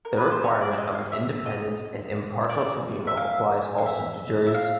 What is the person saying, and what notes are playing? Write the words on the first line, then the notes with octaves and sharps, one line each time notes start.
The requirement of an independent and impartial tribunal applies also to juries.
A#4
B4
C5
C#5
D5
D#5
F5
E5
D#5
D5
E5
F5
F5
E5
E5
F5